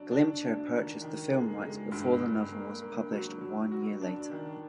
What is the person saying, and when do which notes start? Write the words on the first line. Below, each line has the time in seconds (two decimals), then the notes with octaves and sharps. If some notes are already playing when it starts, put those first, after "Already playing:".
Glimcher purchased the film rights before the novel was published one year later.
Already playing: F#3 D4
0.11 D4
0.42 D4
0.72 D#3
1.02 D#3
1.31 G#3
1.62 G#3
1.92 G2
2.22 G2
2.52 A#3
2.81 A#3
3.12 F#3
3.41 F#3
3.71 F#4
4.01 D4
4.31 D#3